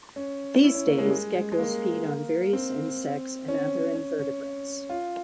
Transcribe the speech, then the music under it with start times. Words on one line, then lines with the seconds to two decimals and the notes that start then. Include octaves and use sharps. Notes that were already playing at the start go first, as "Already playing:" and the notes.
These day geckos fed on various insects and other invertebrates.
0.16 C#4
0.63 E4
0.75 C#4
0.86 A#3
0.98 G#3
1.06 G3
1.10 G#3
1.35 G#3
1.52 G#3
1.58 A#3
2.53 C4
3.48 C#4
3.95 C#4
4.19 C#4
4.90 F4